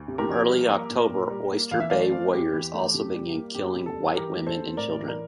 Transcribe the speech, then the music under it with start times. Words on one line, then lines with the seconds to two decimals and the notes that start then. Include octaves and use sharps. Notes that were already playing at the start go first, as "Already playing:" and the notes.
From early October Oyster Bay warriors also began killing white women and children.
Already playing: D2
0.08 C3
0.18 G4 A#4
0.29 F3
0.49 G3
0.70 A#3
0.90 A#2
1.10 A#2
1.30 G3
1.52 A#3
1.71 E3 F5
1.80 E5
1.90 A3 D5 F5
2.12 C4
2.32 E2 G4
2.53 E3
2.73 A3
2.94 C3
3.14 G3
3.34 A#3
3.55 F2 G4
3.76 C3
3.86 A4
3.95 G3
4.16 E3 G4 A#4
4.36 A3
4.47 A4 C5
4.57 C4
4.77 A2 A#4 D5
4.98 E3
5.08 A#4 D5